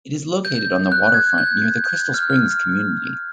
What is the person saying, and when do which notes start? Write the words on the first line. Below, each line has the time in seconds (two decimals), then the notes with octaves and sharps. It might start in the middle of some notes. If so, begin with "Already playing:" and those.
It is located on the waterfront near the Crystal Springs community.
0.45 G6
0.92 F#6
1.14 G#6
1.38 G6
1.84 G6
2.00 G6
2.14 F6
2.30 F6